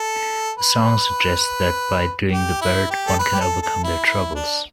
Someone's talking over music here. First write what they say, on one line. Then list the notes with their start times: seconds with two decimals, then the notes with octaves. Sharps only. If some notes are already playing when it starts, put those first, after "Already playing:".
The song suggests that by "doing the bird", one can overcome their troubles.
Already playing: A4
0.58 B4
2.32 G4
2.61 E4
2.90 G4
3.07 A4
3.19 B4
3.34 G4
3.41 A4
3.62 A4
3.84 E4
4.06 E4
4.35 D4